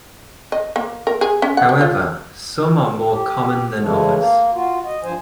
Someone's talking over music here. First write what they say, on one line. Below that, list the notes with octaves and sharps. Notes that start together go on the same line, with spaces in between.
However, some are more common than others.
D#5
A#3
A#4
G#4
C#4
F#5
G3
F4
G4
C#3 E3 G#3 A3
A#3
F4 F#4
D#5
G2 F3 C5 G#5